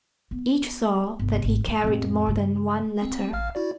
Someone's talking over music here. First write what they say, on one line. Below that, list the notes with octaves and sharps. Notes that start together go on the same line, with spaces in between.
Each saw that he carried more than one letter.
B3
G1 C2
G#1
G2 A3
F2 A2
G2 C#3
C4
A1 F5 F6
E4 F#4 D5